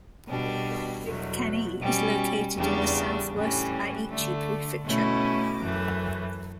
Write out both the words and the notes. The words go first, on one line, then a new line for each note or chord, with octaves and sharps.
Kanie is located in the southwest Aichi Prefecture.
B2 G3 D4
E2 B2 F#3 A3
B2 G3 C#4
E2 C#3 G3 D4
A2 E3 G3 C#4
D3 A3 D4
B2 A3 C#4 E4
F#2 E3 A3